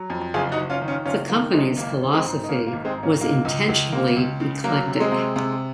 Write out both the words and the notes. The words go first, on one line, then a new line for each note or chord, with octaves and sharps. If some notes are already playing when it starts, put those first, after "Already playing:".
The company's philosophy was intentionally eclectic.
Already playing: F#3
F2
F#1 F4 G#4
D#4 F#4
F#1
C#4 F4
D#3
C#4 F4
F#1 C#4 F4
D#3 A#3
F#1 G#3
G#1 A#3
G#1
G#3 C4
G#2
D#4
G#2 A#3 C#4
A#3
G#1
G#3 C4
G#2
A#3 C#4
C#2 A#3
C#2
C#2
C#3 A#3
C#2
C#3
F#3 A#3
C3
G#3 C4
C3
C3